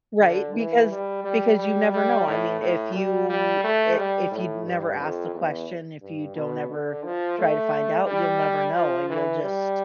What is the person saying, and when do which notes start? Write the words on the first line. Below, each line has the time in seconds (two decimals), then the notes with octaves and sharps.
Right, because because you never know. I mean, if you i if you'd never ask the question, if you don't ever try to find out, you'll never know and you'll just
0.22 D3
0.56 E3
0.91 G3
1.25 G3
1.58 G3
1.93 G3
2.28 A2
2.61 A2
2.95 G3
3.29 G3
3.64 A3
3.97 G3
4.31 A2
4.65 G2
5.00 F2
5.34 E2
6.02 G2
6.36 B2
6.70 D3
7.04 F3
7.38 A3
8.06 G3
8.75 F3
9.09 E3
9.43 G3